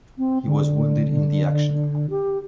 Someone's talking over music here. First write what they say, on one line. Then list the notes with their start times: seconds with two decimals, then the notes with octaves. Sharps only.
He was wounded in the action.
0.18 C4
0.46 D3
2.10 G4